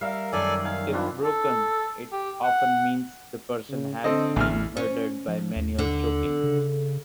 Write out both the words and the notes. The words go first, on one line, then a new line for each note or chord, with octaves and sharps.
If broken, it often means the person has been murdered by manual choking.
G3 A#4 E5 F5
F#2 D#3 G3 A4 D5 G#5
D#4 F5 G#5
C4 D4 F4 B4
A4
G4
F#5
C#3
D3 C4 A4 D#5
A1 E2 A2 E3 F6
C#4
F3
D#2
D3
C#3